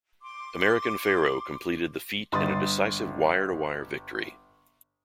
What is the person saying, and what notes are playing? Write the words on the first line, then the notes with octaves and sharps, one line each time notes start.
American Pharoah completed the feat in a decisive wire to wire victory.
C6 D6
G1 C6 D#6 A6